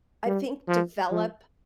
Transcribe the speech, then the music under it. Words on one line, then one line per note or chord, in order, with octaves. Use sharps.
I think, develop
G3
F3
F3